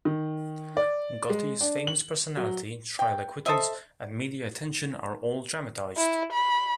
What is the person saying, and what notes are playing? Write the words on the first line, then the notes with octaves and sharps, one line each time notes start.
Gotti's famous personality, trial acquittals, and media attention are all dramatized.
D#3
D5
G#3
D4
F#7
F#3
G5
A4 C5 D#5 E5
E4
B5